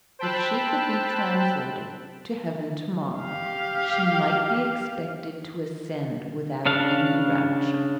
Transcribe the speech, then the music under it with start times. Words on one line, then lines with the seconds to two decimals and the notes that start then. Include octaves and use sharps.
If she could be translated to heaven to-morrow, she might be expected to ascend without any rapture.
0.19 C5 G5 A5 B5 E6 F#6
3.19 G4 F5
6.66 C#3 D4 F5